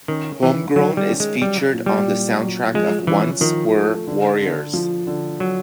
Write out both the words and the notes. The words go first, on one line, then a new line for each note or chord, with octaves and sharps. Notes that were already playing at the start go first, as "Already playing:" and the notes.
"Homegrown" is featured on the soundtrack of "Once Were Warriors".
D#3 C#4
D#3 E3
D#3 F#3
G3
C#4
G#3
F#3 G3
A#2
G3
A#2
F#3
F3 G#3
E3 C#4
D#3 F3
A3
D3
D3
F3
D3
F#3